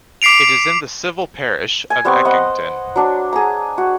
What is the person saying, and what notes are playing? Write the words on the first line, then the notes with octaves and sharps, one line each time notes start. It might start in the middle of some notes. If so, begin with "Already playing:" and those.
It is in the civil parish of Eckington.
D6 B6 C7 D7 F7
G#5
G3 B3 C4 C#6
C5 D#5 F#5 B5
F#3 D4
G#4 A#5
F#4